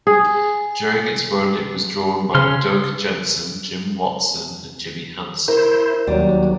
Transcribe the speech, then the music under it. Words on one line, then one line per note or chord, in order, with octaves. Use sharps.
During its run it was drawn by Doug Jensen, Jim Watson and Jimmy Hansen.
G#4
C#3 C#4 C6 F6
E4 A#4 C5
D#2 F#3 G3